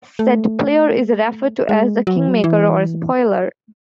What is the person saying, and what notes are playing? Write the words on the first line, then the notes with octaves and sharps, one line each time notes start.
Said player is referred to as the "kingmaker" or "spoiler".
A3
G#3
F#3
E3
F#3
E3